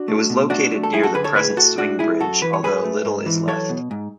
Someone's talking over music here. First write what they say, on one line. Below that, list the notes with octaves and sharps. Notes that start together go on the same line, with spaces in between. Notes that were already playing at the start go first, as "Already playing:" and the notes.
It was located near the present swing bridge although little is left.
Already playing: D4 F#4
A3
B2
A3 D4 F#4
A3
A4
F#2 E4 G#4
F#4 A4
D3 G#4 B4
A4 C#5
A2 G#4 B4
A2 F#4 A4
A2 D4 F#4
G#3 E4 G#4
F#2 F#4 A4
E3 B4
C#5
G#2 G#4 B4
A3
G#2
E3
F#3 A4 C#5
B2
G#2